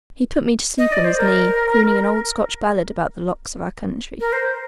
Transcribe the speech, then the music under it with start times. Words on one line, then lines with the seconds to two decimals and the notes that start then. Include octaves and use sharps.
He put me to sleep on his knee, crooning an old Scotch ballad about the lochs of our country.
0.78 D#5
0.92 D5
1.04 C5
1.17 A#4
4.20 A#4
4.33 C5